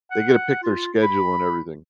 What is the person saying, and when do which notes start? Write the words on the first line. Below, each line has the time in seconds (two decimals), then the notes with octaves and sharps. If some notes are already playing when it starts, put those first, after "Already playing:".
they get to pick their schedule and everything.
0.11 F#5
0.63 F4
1.02 B5